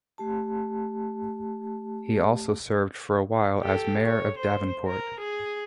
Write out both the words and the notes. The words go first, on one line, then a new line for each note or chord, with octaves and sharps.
He also served for a while as mayor of Davenport.
A3 G4 A5
G4 A4
C#5
C5
A#4
G#4